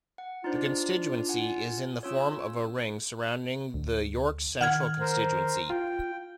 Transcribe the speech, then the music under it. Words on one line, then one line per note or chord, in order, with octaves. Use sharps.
The constituency is in the form of a ring surrounding the York Central constituency.
F#5
D4 D#4 F4 C5
F#5 G#5
C#4 F4 C#5 E6
D2
D#3 F#5 F6 G#6
A#4 C5
F4 G5